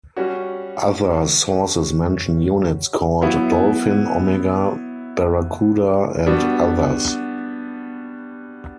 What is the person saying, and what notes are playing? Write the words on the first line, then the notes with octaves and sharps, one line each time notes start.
Other sources mention units called "Dolfin", "Omega", "Barrakuda", and others.
G3 C#4 F#4
F#3 B3 E4
G3 B3 D4 F#4